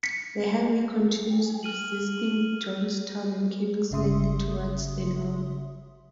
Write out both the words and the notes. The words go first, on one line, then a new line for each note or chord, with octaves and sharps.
The highway continues, exiting Johnstown and curving slightly towards the north.
B6 C#7
F6 D#7 F#7
G1 C#3 E5 C6 D#6